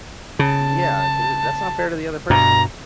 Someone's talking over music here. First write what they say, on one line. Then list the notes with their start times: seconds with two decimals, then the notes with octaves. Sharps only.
Yeah, 'cau uh that's unfair to the other person.
0.39 C#3 A5
2.30 G2 B2 A#5